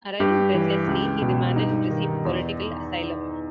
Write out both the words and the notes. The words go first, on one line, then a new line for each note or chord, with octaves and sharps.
Arriving breathlessly, he demanded and received political asylum.
G2 G4
E3
C#2
B2
G2 D#4
D#3
E2